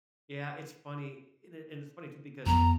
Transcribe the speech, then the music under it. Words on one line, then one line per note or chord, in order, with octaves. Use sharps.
Yeah, it's funny and i it's funny too because,
F2 B3 A#5